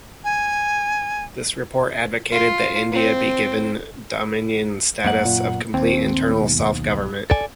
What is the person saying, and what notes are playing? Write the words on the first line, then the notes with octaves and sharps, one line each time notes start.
This report advocated that India be given dominion status of complete internal self-government.
G#5
F4
C4
F#2 A#3 F#5
A#2
D#2 C4
B1
A4 D5 G#5